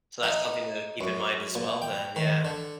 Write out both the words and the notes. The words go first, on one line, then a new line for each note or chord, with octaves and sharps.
So that's something to keep in mind as well then, yeah.
D#4
F#2
A#2
G5
D#3
D3